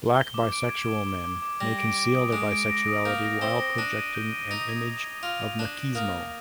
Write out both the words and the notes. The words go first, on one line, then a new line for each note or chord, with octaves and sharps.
Black bisexual men may conceal their bisexuality while projecting an image of machismo.
G7
D6
D7
G#6
D6
D6
D6
D6
G3 A#6
D7
D7
D#6
G#3 D7
D7
A#6
D#6
A#3 G6
A#6
C4 G7
A#6
D4 D#7
D#7
G6
D#7
D#4 D7
G#6
F7
G#6
F4 D7
F7
D4 G#6
D7
A#3 D#6
D#6